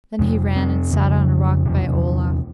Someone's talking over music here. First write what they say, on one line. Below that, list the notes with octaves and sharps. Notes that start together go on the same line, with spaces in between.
Then he ran and sat on a rock by Olaf.
F2 C3
C4
F2 C#3
E2 C3